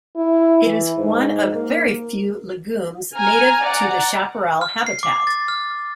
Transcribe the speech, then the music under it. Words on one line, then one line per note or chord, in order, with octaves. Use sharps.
It is one of very few legumes native to the chaparral habitat.
E4
E3
G#2
A#3
G#5 A#5 F6
D5 F#5 A#5
F6
C7
D6
A6
F6